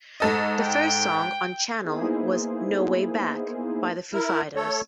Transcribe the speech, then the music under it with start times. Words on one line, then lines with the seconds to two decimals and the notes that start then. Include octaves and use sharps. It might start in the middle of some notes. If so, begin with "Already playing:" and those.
The first song on "Channel" was "No Way Back" by The Foo Fighters.
0.20 G#2 A4 D#5
0.61 G5
1.85 A#3 B3 D#4 E4 G#4 C5
4.13 E4 A#4
4.55 A3 A4 C#5